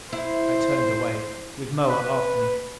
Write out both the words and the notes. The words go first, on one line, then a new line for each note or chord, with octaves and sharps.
I turned away, with Moa after me.
E4 C5
B4